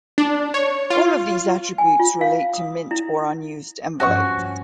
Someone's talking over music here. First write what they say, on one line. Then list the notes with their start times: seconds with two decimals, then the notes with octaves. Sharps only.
All of these attributes relate to mint or unused envelopes.
0.18 D4
0.54 C#5
0.90 F4
1.78 G#5
1.99 F4
2.21 F5
2.53 D#6
2.91 E4
4.00 G2 F3 C#4 F#4 C#6